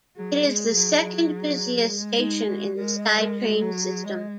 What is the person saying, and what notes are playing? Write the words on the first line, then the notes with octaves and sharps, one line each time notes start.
It is the second-busiest station in the SkyTrain system.
F#3 G#4
G#3
F#3
F#3
G#3
D#4
F#4
G#3 A#4
D#5
G#3 A#4
F#4
F#3 F#4
G#4
G#3 D#5